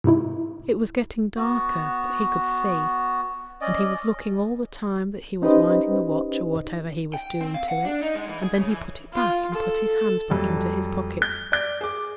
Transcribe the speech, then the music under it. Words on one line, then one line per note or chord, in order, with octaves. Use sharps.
It was getting darker but he could see and he was looking all the time that he was winding the watch or whatever he was doing to it and then he put it back and put his hands back into his pockets.
G#2 C3 D#4 E4
B3 F#4
C#4 D5 D#5
C#4 D#4 G4 B4 C5 D#5
G5
C4
F5
F#5
D4
D#4
G#3
E3
G#4
C#3
E3
F4
A4
F2 F#3 G3 A3 A4
G6
D5 G6
G#4 D6